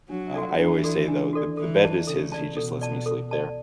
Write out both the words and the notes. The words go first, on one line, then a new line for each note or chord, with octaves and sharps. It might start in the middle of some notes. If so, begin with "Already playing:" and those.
uh, I always say, though, "The the bed is his, he just lets me sleep there."
F#3 D4
F#4 A4 D5
E3 D4
F#4 A4 D5
D4
F#4 A4 D5
E3 A4
D5 A5
C#3 A4
D5 A5
B2 A4
D5 A5
A4
D5 A5